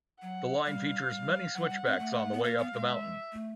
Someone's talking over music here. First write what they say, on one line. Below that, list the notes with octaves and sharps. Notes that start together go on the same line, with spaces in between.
The line features many switchbacks on the way up the mountain.
F#3 F#5
G3 F5
G3
F#3 F#5
G3
C4
A3
B3
A#3 F5
B3
G#3
E5
A3